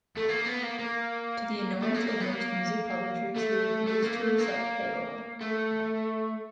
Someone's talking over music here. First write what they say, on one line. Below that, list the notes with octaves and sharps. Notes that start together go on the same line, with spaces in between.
To the annoyance of most music publishers, he refused to accept payola.
A3
A#3
B3
A#3
A#3
A3
A#3
A#3
B3
A#3
A3
A3
A#3
A3
A#3
A3